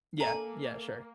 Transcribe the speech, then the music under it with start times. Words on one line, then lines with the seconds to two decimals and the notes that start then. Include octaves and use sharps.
Yeah, yeah, sure.
0.20 A#3 A4 D5 E5 G#5 A#5 F#7